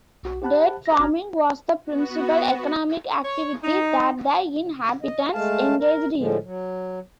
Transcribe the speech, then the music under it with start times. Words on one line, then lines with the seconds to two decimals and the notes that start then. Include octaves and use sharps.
Date farming was the principal economic activity that the inhabitants engaged in.
0.23 B1 F#4
0.42 G4 C5 F#5 A5 B5 F#6
0.86 A#6
0.99 G1 C#4 F#4 A#5 F6 G#6
1.84 B3 F#4
3.25 C#5
3.64 D#4
5.02 D#5
5.33 G#3 A3 F5 A5
5.79 A#4
6.17 A2 D3 F3 G#3
6.43 F#3